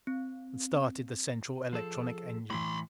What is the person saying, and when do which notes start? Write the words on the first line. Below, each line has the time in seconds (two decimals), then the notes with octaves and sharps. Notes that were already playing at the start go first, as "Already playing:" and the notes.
And started the central electronic engine.
0.07 C4
1.73 F3 G#4 A4
2.50 A2 E3 B5 C6